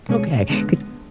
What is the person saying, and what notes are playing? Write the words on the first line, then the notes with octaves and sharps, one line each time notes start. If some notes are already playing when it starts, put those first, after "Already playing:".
Okay, 'cause
B2 G#3 C#4 G#4 C#5
D3 G#3 B3